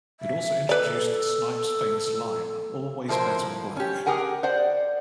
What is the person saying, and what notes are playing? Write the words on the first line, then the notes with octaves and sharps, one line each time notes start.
It also introduced Snipes' famous line: Always bet on black.
E5
A4 B4 D5
A2 F3 E4 A#4 C5
C#4 G4
G4 G#4 A#4 F#5 G#5
C5 D5 F#5